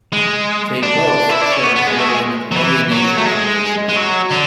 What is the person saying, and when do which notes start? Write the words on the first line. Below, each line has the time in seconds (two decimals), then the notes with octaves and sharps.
They both share a feeling of alienation from their surroundings.
0.13 G#3
0.83 D4
1.29 E4
1.41 D4
1.52 C#4
1.64 B3
1.76 B3
1.87 G#3
1.98 A3
2.09 G#3
2.52 F#3
2.56 E3
2.92 F#3
3.17 A3
3.26 G#3
3.89 G#3
3.96 F#3
4.31 D3